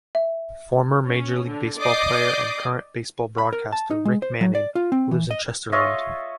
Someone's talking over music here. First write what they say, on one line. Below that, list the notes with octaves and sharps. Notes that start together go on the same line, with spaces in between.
Former Major League Baseball player and current baseball broadcaster Rick Manning lives in Chesterland.
E5
C#4
D3
D5 D#5 D6 D#6 G6 C7
B5
A#4
A5
D#4
G#3
C5
F#3
D5
F4
C4
E3
D#5
F4 C#5 D#5 E5